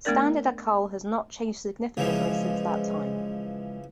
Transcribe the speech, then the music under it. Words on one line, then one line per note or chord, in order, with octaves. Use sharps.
Standard Acol has not changed significantly since that time.
A3 B3 D4 A#4 D5
C#3 E3 F3 G#3